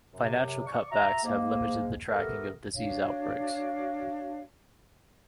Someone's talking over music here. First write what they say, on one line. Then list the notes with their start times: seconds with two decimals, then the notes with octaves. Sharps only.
Financial cutbacks have limited the tracking of disease outbreaks.
0.13 F#2 C3
0.66 D5 C#6
0.91 F#4 E5 A#5
1.24 G#2 A#3
2.08 A3 B3 F#4 G4 A4 A#4
2.74 D4 F#4 C#5 F5